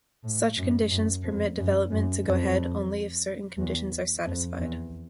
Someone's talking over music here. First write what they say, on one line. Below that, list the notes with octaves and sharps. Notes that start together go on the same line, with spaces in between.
Such conditions permit development to go ahead only if certain conditions are satisfied.
A2
F#2
F#2
F2
F#2
F#2
F2
E2
F2
E2